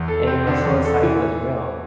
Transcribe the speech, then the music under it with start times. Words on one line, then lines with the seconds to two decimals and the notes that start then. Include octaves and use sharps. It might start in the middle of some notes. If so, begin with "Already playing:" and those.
and you know suicidal is real.
Already playing: E2
0.08 A4
0.27 C4
0.47 D3
0.65 E2
0.85 A4
1.03 E3